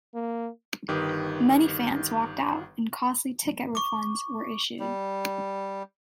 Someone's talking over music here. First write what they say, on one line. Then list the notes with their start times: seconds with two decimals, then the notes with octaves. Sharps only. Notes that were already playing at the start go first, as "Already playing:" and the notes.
Many fans walked out, and costly ticket refunds were issued.
0.14 A#3
0.88 G1 D#3 G4 B4 D6 D#6
3.75 C#6 D6
4.80 G3